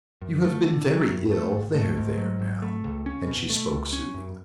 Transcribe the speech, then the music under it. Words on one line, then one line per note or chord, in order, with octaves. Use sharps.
"You have been very ill; there, there, now!" And she spoke soothingly.
F#2
A3
D3
F#3
F#2
A3
G#1
A3
G#2
F#3
G#1
A3
C#2
C#4
B2
A3
C#2
C#4
F#2